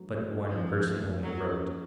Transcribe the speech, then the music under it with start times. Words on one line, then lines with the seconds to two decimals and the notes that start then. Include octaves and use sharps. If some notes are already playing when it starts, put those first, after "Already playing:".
"But one person only wrote!"
Already playing: F#3 A3
0.11 A3
0.30 C#4
0.48 D#3 F3
0.68 F#3
0.86 A3
1.05 A3
1.23 F#2 F#3
1.43 F3
1.60 F#2